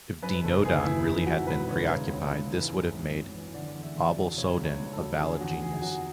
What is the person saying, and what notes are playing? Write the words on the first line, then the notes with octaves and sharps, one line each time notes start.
If "Deinodon" really had been preoccupied, this would have made "Aublysodon" a valid genus.
F#2 B4
F#1 A4
F#1 G#4
E3 E4
E2 E4
F#3 F#4
E1 B4
D3 C#5
C#3 C#5
C#2
C#2
E3
F#2
G#1
G#1
E3
D3 D5
E2
E5
E2
D5
F#3
C#3 C#5
C#2
C#5
C#2
A4
F#3
D3 G#4
E2 F#4
E2 G#4
F#3 F#4